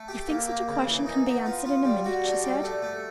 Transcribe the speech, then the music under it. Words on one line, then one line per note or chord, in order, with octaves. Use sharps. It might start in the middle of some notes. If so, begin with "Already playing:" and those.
"You think such a question can be answered in a minute," she said.
Already playing: A3
G4
A#3
A#3
C#3
E3
D#4
B3
F4
F4
G3
F#4
D4
G3
A3
A3